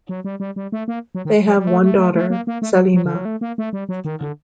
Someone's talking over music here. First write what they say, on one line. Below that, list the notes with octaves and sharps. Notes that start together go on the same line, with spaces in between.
They have one daughter, Salima.
F#3
G3
G3
G3
A3
A#3
F#3
D#3
F#3
G3
A3
A3
A3
A3
A#3
A#3
A3
G3
F#3
D3
F#3
A3
A#3
A3
G3
F#3
D#3
D3